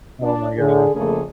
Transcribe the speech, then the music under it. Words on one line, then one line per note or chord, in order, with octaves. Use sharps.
Oh my god.
D4
D3 G#4
F2 C#3 A3 A#3 G#4 A4